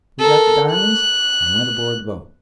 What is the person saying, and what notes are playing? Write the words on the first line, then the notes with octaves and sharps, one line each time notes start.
We got the di'monds and went aboard the boat.
A4 A#4
F#6